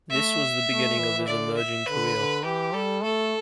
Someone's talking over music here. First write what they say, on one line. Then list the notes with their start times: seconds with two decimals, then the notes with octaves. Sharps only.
This was the beginning of his emerging career.
0.11 A3 E5
0.69 A3
0.99 E3
1.17 E3
1.28 D3 D5
1.58 E5
1.86 D3 B4
2.16 D3
2.45 E3 G4
2.74 G3 A4
3.03 A3 A4